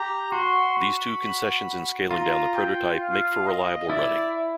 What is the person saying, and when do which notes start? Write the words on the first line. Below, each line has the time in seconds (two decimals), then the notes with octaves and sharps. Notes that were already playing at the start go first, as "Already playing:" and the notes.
These two concessions in scaling down the prototype make for reliable running.
Already playing: G4 A#5
0.32 F#4 C6
0.76 B5
2.10 F4 A#5
2.55 G5
3.00 F5
3.45 D#5
3.89 E4 D5